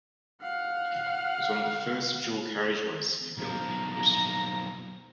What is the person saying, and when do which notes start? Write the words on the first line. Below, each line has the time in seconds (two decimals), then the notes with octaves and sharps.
It was one of the first dual carriageways to be built in Bristol.
0.42 F5 F#5
3.38 B1 F3 A#5